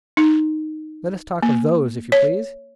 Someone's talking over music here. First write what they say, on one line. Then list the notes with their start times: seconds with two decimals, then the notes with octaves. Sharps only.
Let us talk of those, if you please.
0.17 D#4
1.42 A#3
2.12 C#5